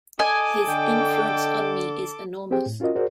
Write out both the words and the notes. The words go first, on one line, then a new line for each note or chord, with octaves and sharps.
His influence on me is enormous.
A4 D#5 G#5 D6
D3 G5
C4 G4 G#4 C5 G5
A2
C#4 F4 F#4 A#4 D#5
F#4 G#4 A#4 C5 D5